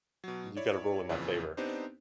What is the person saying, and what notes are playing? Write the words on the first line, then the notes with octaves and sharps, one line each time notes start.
you gotta rule in my favor."
B2 F#3
E4 C#5 D5
F2 A#2 C#3 E3
B3 C4 D4 D#4 G4 C5